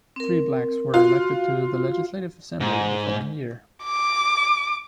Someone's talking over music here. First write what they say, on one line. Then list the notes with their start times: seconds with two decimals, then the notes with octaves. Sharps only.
Three Blacks were elected to the legislative assembly the following year.
0.16 C4 A#4
0.94 F4 F#4 C6
2.60 G#2
3.84 D6